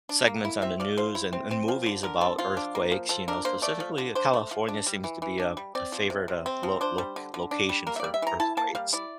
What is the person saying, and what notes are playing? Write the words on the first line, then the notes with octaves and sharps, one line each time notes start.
segments on the news and and movies about earthquakes, you know, specifically, uh, California seems to be a a favorite, uh, lo loc location for earthquakes.
D4
A#3
E4
C4 E5
F3 D5
F3 C5
E4
C4
C4
F3
D3
D3 A#4
C4 A4
F3 F4
D4
A#3
F3
F3 A4
D4 A#4
A#3 C5
A3 D5
F3
D3
D4 C5
A3
F3
D4
G3
E3
E3
D4
G3
C4 D5
F3
C3
C3
C4
F3
D4 C5
G3
D3
D3
D4
G3
A#3 A#4
E5
G3 D5
E5
E3 A#5
E4 A5
A#3 A5
G3 F5
E4 D5